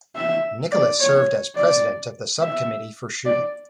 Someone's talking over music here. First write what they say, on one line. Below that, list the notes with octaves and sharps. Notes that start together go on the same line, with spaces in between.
Nicholas served as president of the Sub-Committee for Shooting.
E5
D5
C#5
D5
E5
D5